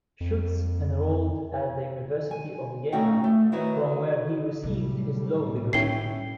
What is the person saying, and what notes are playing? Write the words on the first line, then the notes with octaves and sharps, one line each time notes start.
Schutz enrolled at the University of Vienna from where he received his law degree.
F2
G#5
A3 C#4 D#4 F#4 F#5 G5
A3
D#3 E4 F#4 B4 C#5
A2 C3 F#3 G3
B3 C#4 E4 G5 C7 G7